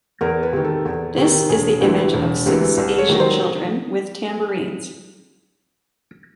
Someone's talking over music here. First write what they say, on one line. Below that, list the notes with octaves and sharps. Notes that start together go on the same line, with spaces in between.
This is the image of six Asian children with tambourines.
E2 A#4
B4
C3 D#3
A4
E2
C3 D#3
E1 G#4
D2 C3 E3 G#3
E1
D2 C3 E3 G#3
C2 B4
C#5
C3 D#3 F#3
C5